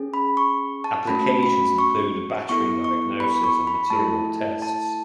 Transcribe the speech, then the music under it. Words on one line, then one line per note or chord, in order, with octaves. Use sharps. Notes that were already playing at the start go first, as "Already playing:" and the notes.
Applications include battery diagnosis and material tests.
Already playing: C#4 G#4
B5
C#6
A5
A3 C#4 F#4 B5
B5
C#6
B3 E4 A4 C#6
C#6
B5
C#6
B5
A3 E4 A4 A5
A5